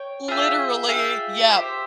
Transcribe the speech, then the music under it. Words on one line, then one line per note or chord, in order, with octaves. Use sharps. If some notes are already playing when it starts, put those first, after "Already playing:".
Literally! Yep!
Already playing: C#5 G5
F4 G#4 E5 G5
F4 G#4 E5 G5
G4 C5 E5